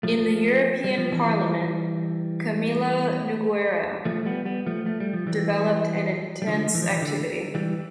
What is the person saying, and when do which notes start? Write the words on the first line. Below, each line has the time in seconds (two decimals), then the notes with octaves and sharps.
In the European Parliament, Camilo Nogueira developed an intense activity.
0.03 F3 A3
0.84 G3
0.98 F3
1.12 E3 G3
4.05 F3 A3
4.26 G3 B3
4.45 G3 B3
4.66 F3 A3
4.86 A3
5.00 G3
5.13 F3
5.27 E3 G3
6.42 G3
6.47 D3 F3
6.75 E3
6.82 F3
6.90 E3
7.02 D3
7.55 E3 G3